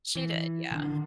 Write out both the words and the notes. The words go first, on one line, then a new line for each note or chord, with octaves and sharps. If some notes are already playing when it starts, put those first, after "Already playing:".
She did, yeah.
E3
D3 D#3 D4